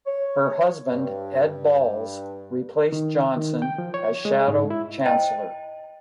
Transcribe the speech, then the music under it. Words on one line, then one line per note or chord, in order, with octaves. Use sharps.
Her husband, Ed Balls, replaced Johnson as Shadow Chancellor.
C#5
G2
D#3
D#3
G5
F3
C#5
G#3
G#2
E4
C5 D#5 G5 A5